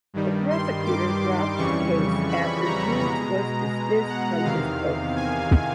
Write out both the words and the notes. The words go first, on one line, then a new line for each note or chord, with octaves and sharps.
The prosecutor dropped the case after Judes was dismissed from his post.
G2 D#3 G3
C6
D6
F2 C#3 E3 G3 C#6
B5
A#5
B2 G#3 A#5
F#5
E2 C3 D#3 F5
G#5